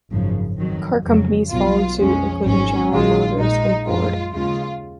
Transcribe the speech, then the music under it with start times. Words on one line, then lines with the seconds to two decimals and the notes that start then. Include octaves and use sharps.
Car companies followed suit, including General Motors and Ford.
0.11 G#1 F#2 C#3 F3
0.58 F2 D#3 F#3
1.04 F2 C#3 F#3
1.51 B1 B2 F#3 F4
1.99 F2 F3 G#3 C#4
2.45 G#1 G#2 F#3 C#4
2.91 A#1 G#2 D#3 G#3 F4
3.38 A#1 A#2 G#3 D#4
3.86 F#2 F3 G#3 F4
4.32 D#2 C#3 G#3 F4